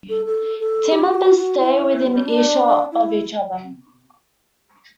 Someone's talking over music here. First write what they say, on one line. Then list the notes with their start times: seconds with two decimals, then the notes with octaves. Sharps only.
Team members stay within earshot of each other.
0.09 A4
0.26 A4
0.60 A4
0.92 G4
1.14 F#4
1.36 F#4
1.59 E4
2.06 B3
2.16 C#4
2.25 D4
2.92 E4